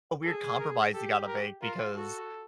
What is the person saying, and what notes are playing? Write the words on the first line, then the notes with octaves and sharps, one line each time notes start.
a weird compromise you gotta make because,
G#4 A4
A#4
G4 A4
A#4
F4 A#4
F#4 A4